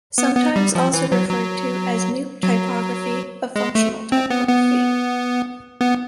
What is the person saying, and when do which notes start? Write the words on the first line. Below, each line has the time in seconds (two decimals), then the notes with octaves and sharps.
Sometimes also referred to as "New Typography" of "Functional Typography".
0.18 B3
0.37 B3
0.56 G3
0.75 F3
0.94 E3
1.12 F#3
1.31 F#3
2.43 F#3
3.56 G#3
3.75 A3
4.12 C4
4.30 B3
4.49 B3
5.81 B3